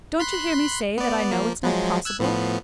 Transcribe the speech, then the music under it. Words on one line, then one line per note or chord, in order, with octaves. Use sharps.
Don't you hear me say that I know it's not possible?
B5 C6 F#6
B3 D5
F3 A#3
F3 F#3 G#3
E6 F#6 G#6
A2 F3 B3